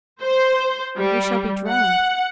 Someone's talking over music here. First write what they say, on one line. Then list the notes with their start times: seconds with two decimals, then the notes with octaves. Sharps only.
We shall be drowned!
0.21 C5
0.97 G3
1.68 F#5